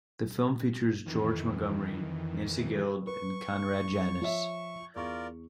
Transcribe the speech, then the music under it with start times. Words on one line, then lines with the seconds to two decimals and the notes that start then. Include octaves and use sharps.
The film features George Montgomery, Nancy Guild and Conrad Janis.
1.06 F2 D#3 E3
3.07 B4 C#6
4.21 F3 C#5 E5
4.96 E2 F4 A#4 D5 C#6